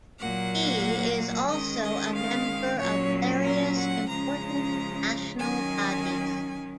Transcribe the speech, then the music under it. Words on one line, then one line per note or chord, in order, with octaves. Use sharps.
He is also a member of various important national bodies.
A#2 F#3 A#3 F#5
D#3 G#3 C#4 D#5
D#5
F5
A#2 F#3 C#4 C#5
A#4
F#5
C#3 F3 G#3 C#4 A#5
D#3 F#3 C#4 G#5